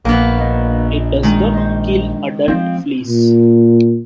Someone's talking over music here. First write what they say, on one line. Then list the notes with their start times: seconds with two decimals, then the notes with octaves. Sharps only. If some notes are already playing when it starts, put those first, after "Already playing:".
It does not kill adult fleas.
0.05 A#1 A#3 B3
0.39 D#4
1.23 D#3 G#3
1.54 D#4 C5
2.48 F3 C4
3.06 A#2